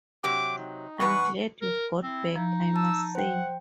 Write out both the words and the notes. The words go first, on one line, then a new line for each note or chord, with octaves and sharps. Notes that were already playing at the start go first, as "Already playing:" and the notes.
I’m glad you’ve got back, I must say.
C3 F#3 G4 D6
D#4
E2 G#3 B4 F#5 C#6
A#4
C4 E4
F3 D#4
A5 E6
C5 F#5 G5